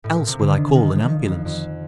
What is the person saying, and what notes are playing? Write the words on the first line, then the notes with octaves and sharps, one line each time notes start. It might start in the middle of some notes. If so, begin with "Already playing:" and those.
"Else will I call an ambulance."
A2
A#2
C3
D3
D#3
D#3
D#3 F3
F2
F2